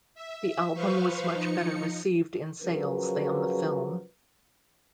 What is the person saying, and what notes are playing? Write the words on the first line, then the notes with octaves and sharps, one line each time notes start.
The album was much better received in sales than the film.
E5
F3 B4 C5 F5 C#6
F3 D#4 C#7
C#3 F3 F#3 A#4 B4